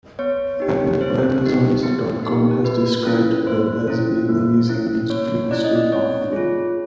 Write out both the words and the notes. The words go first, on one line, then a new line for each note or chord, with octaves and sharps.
AmazOns dot com has described her as being amazingly, freakishly powerful.
B3 C#5
D#4 G4
B3 C5
D#4 G4
B3
D#4 G4
A#3 B4
C#4 E4
A#3 C5
C#4 E4
A#3
C#4 E4
A#3 C#5
C#4 E4 D5
D#5
D5
C4 C#5
F4 G#4